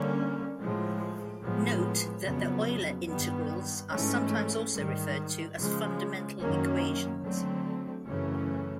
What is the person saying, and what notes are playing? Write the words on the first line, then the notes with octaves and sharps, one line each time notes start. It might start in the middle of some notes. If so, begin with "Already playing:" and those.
Note that the Euler integrals are sometimes also referred to as fundamental equations.
Already playing: D3 G3 A#3 C#4
A2 F3 G#3
A2 F3 G#3 B3
F2 C#3 F#3 B3
G2 D#3 G3 B3
G#2 E3 A3 C#4
G#2 D#3 G3
C#3 F3 G#3
F#2 D#3 F#3 A#3 C#4
D3 F#3 A3 C4
F#2 C#3 E3 A3 C#4